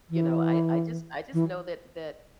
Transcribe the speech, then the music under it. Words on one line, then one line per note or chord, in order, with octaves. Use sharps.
you know, I I just I just know that that,
E3
E3